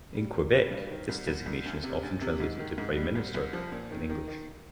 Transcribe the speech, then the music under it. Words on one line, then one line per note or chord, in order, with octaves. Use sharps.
In Quebec, this designation is often translated to "prime minister" in English.
G3
A#3
G3
G2
D#3
C2
C2
C2
D2
C3
D2
C3
G#2
D#3
G#2
G3
C2
C2
F3
A#2
D#3
D#3
D#3